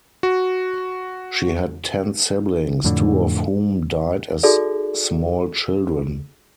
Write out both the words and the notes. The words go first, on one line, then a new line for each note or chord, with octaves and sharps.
She had ten siblings, two of whom died as small children.
F#4
F2 A2 D3
D#4 F#4 G#4 A4 D5 E5